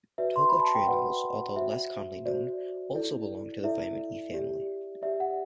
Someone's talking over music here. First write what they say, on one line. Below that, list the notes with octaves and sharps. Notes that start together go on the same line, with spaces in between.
Tocotrienols, although less commonly known, also belong to the vitamin E family.
F#4 B4 D5 E5
C6
B5
A5
G5
F#4 B4 D5 F#5
F#4 C5 E5
F#4 C5 D5
E4 A4 D5
E4 A4 D5 E5
G4 D5
G4 D5 E5
F#5